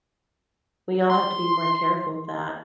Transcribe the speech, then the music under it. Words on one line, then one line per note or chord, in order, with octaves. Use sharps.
We all have to be more careful of that.
C6